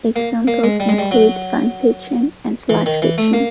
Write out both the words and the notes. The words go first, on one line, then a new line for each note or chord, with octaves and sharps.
Examples include fan fiction and slash fiction.
A#3
A#3
G#3
G3
G#3
G3
F#3
E3
D#3
E3
A3
A#3